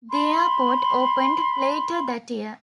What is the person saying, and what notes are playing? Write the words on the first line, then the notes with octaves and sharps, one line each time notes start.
The airport opened later that year.
B5 C6